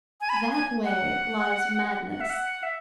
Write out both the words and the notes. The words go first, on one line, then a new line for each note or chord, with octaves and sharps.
That way lies madness.
G#5
B5
G#5
G#5
F#5
F#5
E5
F#5
E5